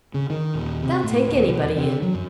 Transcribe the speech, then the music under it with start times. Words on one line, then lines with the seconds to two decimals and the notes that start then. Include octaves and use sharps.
They'll take anybody in.
0.14 C#3
0.30 D#3
0.55 D#1
0.83 C3
1.04 A2
1.27 D#1
1.48 B1
1.63 E2
1.76 C3
2.02 F#3
2.14 F#2